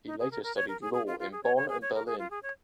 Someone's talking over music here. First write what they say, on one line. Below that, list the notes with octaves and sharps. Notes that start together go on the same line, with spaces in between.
He later studied law in Bonn and Berlin.
D#4
G#4
A#4
A#4
C#5
A#4
G#4
G#4
F4
F4
G#4
C#5
C#5
G#4
C#5
A#4
G#4
F4
G#4
C#5